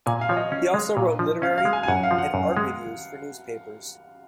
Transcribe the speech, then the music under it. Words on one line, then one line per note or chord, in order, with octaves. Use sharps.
He also wrote literary and art reviews for newspapers.
A#2 G#5
F5
F3 C#5
D#5
C#4
G#3
A#2
F3
C#4 F5
F5
G#3
G#5
G#5
F#2 F#5
F5
F3
F#5
F#2
G#3